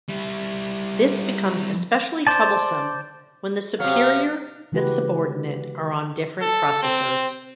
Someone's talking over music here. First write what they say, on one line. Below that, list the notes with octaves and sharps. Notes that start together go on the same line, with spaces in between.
This becomes especially troublesome when the superior and subordinate are on different processors.
G3 E4
C5 D5 A5
C3 F#3 F5
C#3 E3 G#3 F#4 G4 B4
A4
C4